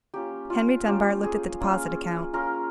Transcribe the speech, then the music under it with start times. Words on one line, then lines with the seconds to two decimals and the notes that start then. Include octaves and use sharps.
Henry Dunbar looked at the deposit account.
0.14 A#3 C#4 F4 G4
0.50 F4
0.87 A#3 C#4 F4 G4
1.24 G#4
1.60 A#3 C#4 F4
2.33 A#3 C#4 F4 A#4